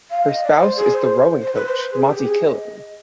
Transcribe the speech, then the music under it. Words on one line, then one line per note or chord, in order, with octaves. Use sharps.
Her spouse is the rowing coach Matti Killing.
F5
D#5
D5
C5
G#4
C5
C5
B4
C5
B4
G#4
G4
G#4
D#5